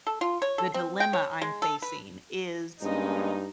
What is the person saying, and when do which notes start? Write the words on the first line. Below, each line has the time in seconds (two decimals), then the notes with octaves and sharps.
the dilemma I'm facing is
0.07 A4
0.21 F4
0.42 C#5
0.58 A4
0.74 C4
1.00 G5
1.13 C#5
1.42 G#3
1.62 A4
1.82 B4
2.83 G2 G#3 A#3 C#4 D#4